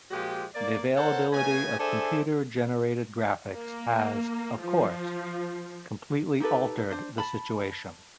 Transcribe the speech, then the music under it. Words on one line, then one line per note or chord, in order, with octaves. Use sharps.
The availability of computer-generated graphics has, of course, completely altered the situation.
A#2 F3 G#3 F#4 G4
A#3 D5
A4 A#4 C5 C#5 F#5
C#3 A3 B3 C#4 G#5
D4 G#4 A4 C5 E5 G#5
A#3
F3
D#4 G4 A4 B4
D4 C5
A5 B5